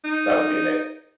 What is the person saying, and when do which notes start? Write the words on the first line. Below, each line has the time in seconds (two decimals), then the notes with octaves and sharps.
that would be amazing.
0.04 D#4